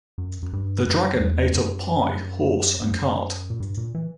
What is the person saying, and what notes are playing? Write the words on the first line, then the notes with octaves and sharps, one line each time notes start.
The dragon ate up pie, horse and cart.
F#2
F#2
G2
F#2
E2
F#2
G2
F#2
A#2
G2
A#2
E3